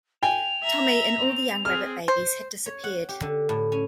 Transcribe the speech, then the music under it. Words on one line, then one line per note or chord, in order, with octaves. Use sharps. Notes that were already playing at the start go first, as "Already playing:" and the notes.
Tommy and all the young rabbit-babies had disappeared!
G5 G#5 F7
E5 A#5
C4
C4 G#4 F6
C5
C#5
F#5
G4
D3
A2
C#4